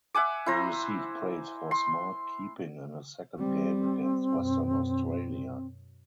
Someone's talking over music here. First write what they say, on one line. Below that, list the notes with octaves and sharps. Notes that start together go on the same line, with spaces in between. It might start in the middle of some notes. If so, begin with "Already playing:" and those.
He received praise for "smart" keeping in his second game against Western Australia.
E5 F#5 G#5 D6
E4 C5 A#5
C6
G3 C4
F#2 B2